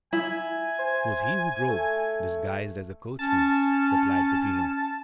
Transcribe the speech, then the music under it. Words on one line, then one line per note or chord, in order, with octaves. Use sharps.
"It was he who drove, disguised as the coachman," replied Peppino.
E4 G#5
C5
A3
C#4 A5